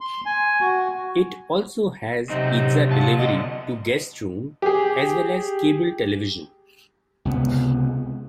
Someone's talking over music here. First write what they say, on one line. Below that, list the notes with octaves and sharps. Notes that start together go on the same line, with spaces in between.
It also has pizza delivery to guests' rooms as well as cable television.
C6
G#5
F#4
F#2 C3 C4 D#4
F#3 F4 A5
F#2 B2 D3 D#5
G4 G#4
C#2 C3 B3